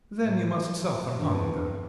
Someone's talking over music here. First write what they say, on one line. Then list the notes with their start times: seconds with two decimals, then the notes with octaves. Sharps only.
"Then you must suffer hunger."
0.22 A2
1.16 G2